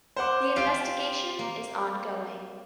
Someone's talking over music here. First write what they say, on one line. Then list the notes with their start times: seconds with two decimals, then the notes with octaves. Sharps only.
The investigation is ongoing.
0.16 C5 F#5 D6
0.56 C4 F4 G4 F5 D7
1.39 A#3